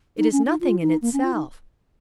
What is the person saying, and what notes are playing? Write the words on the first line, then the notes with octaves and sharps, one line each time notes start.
It is nothing in itself.
D#4
C#4
D#4
F4
D#4
A#3
C#4
F4
D#4